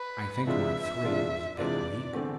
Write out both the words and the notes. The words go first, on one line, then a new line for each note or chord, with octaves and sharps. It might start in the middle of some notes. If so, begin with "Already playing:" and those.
I think my "three" was a bit weak.
Already playing: B4
C3 E3 G#3 D4 F4 E5
C3 E3 G#3 D4 F4
C3 E3 G#3 D4 F4 D5
E2 D3 A3 C4